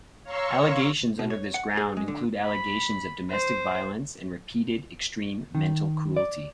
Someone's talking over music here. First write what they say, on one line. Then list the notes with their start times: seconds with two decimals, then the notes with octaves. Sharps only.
Allegations under this ground include allegations of domestic violence and repeated, extreme mental cruelty.
0.23 C#5 F5 A#5 C6 C#6 E6
1.19 B2
1.30 C#5
1.54 F#5
1.77 G#4
1.97 G#3
2.08 D3
2.46 B5
3.30 C5
5.55 D#3
6.17 D5